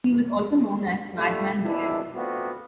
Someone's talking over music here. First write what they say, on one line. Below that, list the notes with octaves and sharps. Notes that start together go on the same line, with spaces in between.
He was also known as Madman Liang.
G3 A3 D4 E4 F4
G#1 E2 B2 D4 E4
A3 B3 C4 D4 F4 F#4